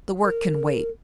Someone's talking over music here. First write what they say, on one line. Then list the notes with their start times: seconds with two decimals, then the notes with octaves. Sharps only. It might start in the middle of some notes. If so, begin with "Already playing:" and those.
The work can wait.
0.24 A#4